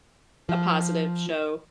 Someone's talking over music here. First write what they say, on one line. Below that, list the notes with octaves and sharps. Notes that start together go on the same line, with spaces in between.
a positive show.
F3